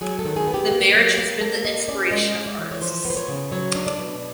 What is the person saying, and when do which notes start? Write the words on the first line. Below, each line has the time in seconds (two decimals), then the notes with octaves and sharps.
The marriage has been the inspiration of artists.
0.01 F#3 G#4
0.19 A4
0.25 D#3
0.36 G#4
0.47 B3
0.54 G4
0.72 A#3
0.94 F#3
1.18 A#3
1.41 A#3 A4
1.65 A#3 D#5
1.88 C#4 D5
2.11 G#3 D#5
2.35 G#3
2.46 D5
2.58 E3
2.71 C#5
2.81 F3 C5
3.05 B3
3.10 C5
3.17 C#5
3.28 C#3
3.51 F#3 C#5
3.75 D4
3.87 D5
3.98 B2